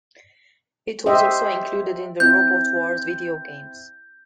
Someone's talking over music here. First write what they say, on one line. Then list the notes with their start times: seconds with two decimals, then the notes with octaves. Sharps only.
It was also included in the "Robot Wars" video games.
1.06 G4 C5 D#5 E5
2.20 C4 E4 G6